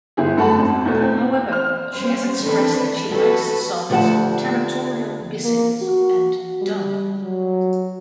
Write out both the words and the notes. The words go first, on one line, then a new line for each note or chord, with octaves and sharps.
However, she has expressed that she likes the songs "Territorial Pissings" and "Dumb".
G1 E4 G#4
F#2 A3 F#5 A5 B5
G#1
E2 B2 A3
C4
C5 F6
G3 C#4 C5
D#3 E3 C4 D4 A4 B4
F#4 A4 B4
D2 F3 G4 A#4 F#5 A5
A#3
F#4
G3
F#3